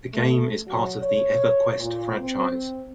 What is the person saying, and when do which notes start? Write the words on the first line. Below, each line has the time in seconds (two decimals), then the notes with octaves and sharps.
The game is part of the "EverQuest" franchise.
0.14 A3
0.66 F#3
1.01 C#5
1.79 A#2
2.17 C4